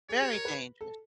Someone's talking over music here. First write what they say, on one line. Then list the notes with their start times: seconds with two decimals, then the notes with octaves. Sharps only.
Very dangerous.
0.09 G#4 C#5
0.22 G4
0.33 A#4
0.45 B4
0.81 A4